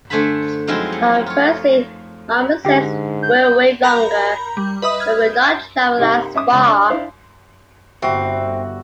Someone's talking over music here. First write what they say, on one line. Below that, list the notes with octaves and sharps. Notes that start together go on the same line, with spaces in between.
Conversely, marmosets will wait longer, but will not travel as far.
D3 A3 C5 G#5 A5 B5
F3 F#3 G#3 C4 D#4 E4
A3
F4 C#5
G#2 D3 G4 G5
G6
A#4 A#5 B5 G6
G3
B4 D#5 E5 B5 D#6
F6 G#6
G6
C3 A#3 D#4 G4 F#5
C#4 E5 D6 D#6
C#2
D4
D4 E4 C5 F5
G1 G3 C4 F#4 E5